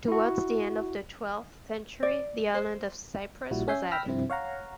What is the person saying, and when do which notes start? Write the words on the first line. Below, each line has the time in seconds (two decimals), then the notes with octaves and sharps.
Towards the end of the twelfth century the island of Cyprus was added.
0.08 E4 F#4
2.03 D5
2.54 C5
3.51 A#1 A#2 G3 E4 F#4
3.68 C#4 E5 G#5 G6 C7
3.91 G5 B5 E6 F6 A#6 B6
4.06 G2 C3 F3 C4 E4
4.30 C#5 F5 F#5 A#5